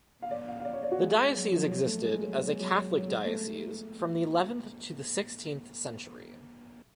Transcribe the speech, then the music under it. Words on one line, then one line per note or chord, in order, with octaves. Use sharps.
The diocese existed as a Catholic diocese from the eleventh to the sixteenth century.
F5
D5
F5
F5
D5
C#5
D5
F#4
G#3
F#3
F3
F#3
A3
G#3
F#3
F#3
G#3
F#3
F#3
G#3
A3